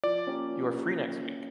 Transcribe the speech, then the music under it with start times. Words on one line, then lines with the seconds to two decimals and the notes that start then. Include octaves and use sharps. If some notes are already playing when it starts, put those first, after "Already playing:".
You are free next week.
0.04 F3 D5
0.27 A#3 C#4 G4
0.50 F3
0.72 A#3 C#4